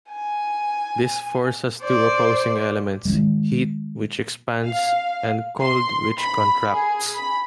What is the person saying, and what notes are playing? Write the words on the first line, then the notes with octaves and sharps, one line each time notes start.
This force has two opposing elements: heat, which expands, and cold, which contracts.
G#5
C5 D5
D#3 G#3
F5
C6
B5
G#4
B5